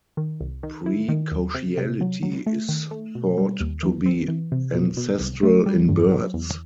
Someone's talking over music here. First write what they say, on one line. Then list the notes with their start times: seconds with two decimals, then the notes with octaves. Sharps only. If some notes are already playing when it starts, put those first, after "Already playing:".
Precociality is thought to be ancestral in birds.
0.17 D#3
0.41 C2
0.63 D#3
0.86 E4
1.09 D#3
1.32 D#2
1.55 C3
1.77 C3
2.01 F#3
2.23 F#3
2.46 A3
2.69 D#3
2.91 A3
3.15 B2
3.38 G3
3.60 D#2
3.83 E3
4.06 C4
4.28 E3
4.52 C3
4.75 B2
4.97 B2
5.20 C2
5.43 A3
5.66 G3
5.89 G2
6.12 F#3
6.34 E2